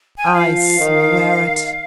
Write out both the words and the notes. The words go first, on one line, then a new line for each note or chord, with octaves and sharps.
"I swear it!"
G#5
G5
F3 F5
D#3
D#3